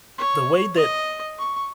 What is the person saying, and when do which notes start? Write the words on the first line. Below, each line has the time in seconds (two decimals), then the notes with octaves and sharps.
the way that
0.18 C#5
0.76 D#5
1.38 C#6